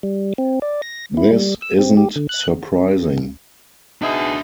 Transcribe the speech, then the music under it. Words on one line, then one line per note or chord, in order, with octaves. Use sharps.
This isn't surprising.
G3
C4
D5
A#6
E4
G3
E6
C4
G4
D3
F#6
B2 D4 D#4 G#4 E5